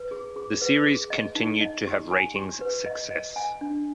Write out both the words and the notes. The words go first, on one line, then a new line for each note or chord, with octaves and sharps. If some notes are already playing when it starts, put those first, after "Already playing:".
The series continued to have ratings success.
Already playing: B4
G#4
G#4
B4
G#4
D#5
D#4
D#5
G4
G#5
G4
B4
D#5
D#5
G#5
D4